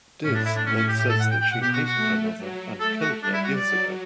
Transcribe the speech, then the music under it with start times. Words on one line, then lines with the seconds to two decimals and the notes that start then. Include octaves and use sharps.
Diz then says that she hated her mother and killed her years ago.
0.24 A2 C#4
0.34 D4
0.45 E4
0.56 D4
0.66 A2 C#4
0.77 C#4
0.88 G4
0.98 G4
1.09 A4
1.20 F#5
1.30 G5
1.41 G5
1.52 B2 F#5
1.62 G4
1.73 F#4
1.84 F#4
1.95 A3
2.37 F#3
2.80 A3 A4
3.01 F#4
3.23 G3 D4
3.33 E4
3.44 F#4
3.54 D5
3.65 F#3